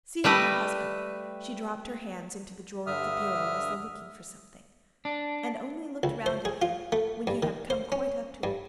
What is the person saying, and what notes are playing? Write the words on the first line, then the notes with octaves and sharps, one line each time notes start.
Seeing her husband, she dropped her hands into the drawer of the bureau as though looking for something, and only looked round at him when he had come quite up to her.
G3 A3 B4 D#5
G2 D3 E5 D#6 F6
D4
C#2
C5
G#4
F4
A3
G2
D#3
C5
C#4
G2